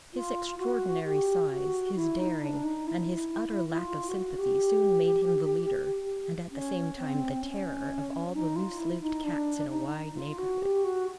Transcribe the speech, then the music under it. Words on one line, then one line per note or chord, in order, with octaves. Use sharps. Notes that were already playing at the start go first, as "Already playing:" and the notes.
His extraordinary size, his daring, and his utter lack of sympathy soon made him the leader--and, at the same time, the terror--of all the loose-lived cats in a wide neighbourhood.
F4
F#4
G4
F#4
E4
D#4
D4
D#4
E4
E4
F4
F#4
G4
C#4
C4
C4
C#4
D#4
F4
E4
D#4
D4
D#4
F4
F#4
G4
F#4